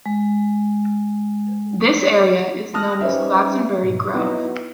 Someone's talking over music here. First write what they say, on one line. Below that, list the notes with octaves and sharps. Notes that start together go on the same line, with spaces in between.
This area is known as Glastonbury Grove.
G#3
C#5
A5 D#6 F6 F#6 A#6
G3 C#4 D#4 B4 C5 E5
G#2 B2
F#3 B3 D#4 E4